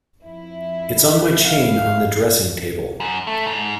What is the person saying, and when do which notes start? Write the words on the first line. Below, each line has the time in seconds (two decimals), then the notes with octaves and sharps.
It’s on my chain on the dressing-table.
0.23 F2 E4
1.45 F5
3.00 F#2
3.27 A3
3.46 G#2